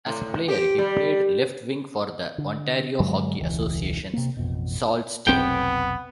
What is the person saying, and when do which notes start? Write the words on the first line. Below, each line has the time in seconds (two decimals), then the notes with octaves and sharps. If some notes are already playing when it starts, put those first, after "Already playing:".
As a player, he played left-wing for the Ontario Hockey Association's Sault Ste.
0.06 A2
0.48 G4
0.78 G3
2.38 D3
3.00 G2 D3 F#3 G#3
3.40 E1 C#2 E3
4.13 C3 A#3
4.37 A1 F2 B2
5.27 F1 B1 B3 C4 G5